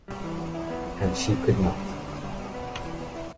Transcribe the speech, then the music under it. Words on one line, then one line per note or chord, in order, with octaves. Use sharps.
And she could not.
G3
E3
E2
E4
B3
F2
B3
C3
C4
G2
D4
G3
D3
D3
G3
B2
B3
B2
E3
B3
E4